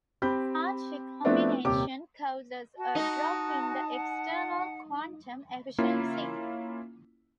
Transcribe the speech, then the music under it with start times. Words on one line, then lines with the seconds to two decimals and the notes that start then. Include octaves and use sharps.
Charge recombination causes a drop in the external quantum efficiency.
0.22 C4 G4 B5 G6
1.24 F3 A3 B3 C4 D4 E4
1.65 D#1 C3 G4 D6
2.77 F#4 A5
2.95 D#4
3.92 F#5
5.78 A#3 C#4 E4 F4